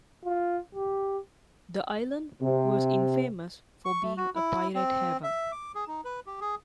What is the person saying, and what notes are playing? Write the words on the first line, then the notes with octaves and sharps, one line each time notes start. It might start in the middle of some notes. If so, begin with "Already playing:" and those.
The island was infamous for being a pirate haven.
F4
G4
C3
C#6
A3
F#4
E4
C4
E5
D6
G#4
D#4
B4
G4
G#4